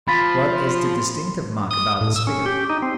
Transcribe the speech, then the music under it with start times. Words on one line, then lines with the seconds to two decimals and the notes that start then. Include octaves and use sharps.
What is the distinctive mark about this figure?
0.08 F3 B5 C6 A6 B6
1.71 D#6
2.01 A2
2.16 E6
2.27 C#4
2.46 G4
2.70 D#4
2.82 C4